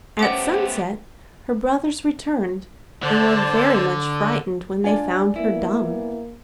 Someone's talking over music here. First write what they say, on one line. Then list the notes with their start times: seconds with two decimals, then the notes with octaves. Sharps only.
At sunset her brothers returned and were very much frightened when they found her dumb.
0.19 A3 B3 C#4 G4 C5 F#5 D6
3.03 D3 C5 D5 A5
4.84 D4 F4 D5 G#5
5.36 A#3 B3 E4